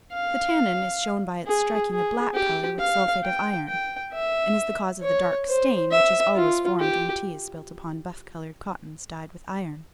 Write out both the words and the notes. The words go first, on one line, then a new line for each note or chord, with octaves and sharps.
The tannin is shown by its striking a black colour with sulphate of iron, and is the cause of the dark stain which is always formed when tea is spilt upon buff-coloured cottons dyed with iron.
F5
G#4
G#4
G4
F5
G5
G5
E5
C#5
C5
E5
F4
G4